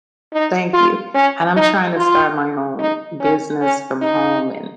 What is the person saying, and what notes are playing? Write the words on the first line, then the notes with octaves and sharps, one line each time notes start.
Thank you. And I'm trying to start my own business from home and,
D#4
F4
C#4
D#4
F4
D#4
C#4
C#4
D#4